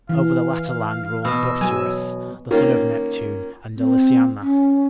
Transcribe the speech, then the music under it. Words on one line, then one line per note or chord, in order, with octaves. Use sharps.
Over the latter land ruled Busiris, the son of Neptune and Lysianassa.
E3 F5
B2 E6
F#3 G#5
D#3 A#3 C#4 F4
C4
C#4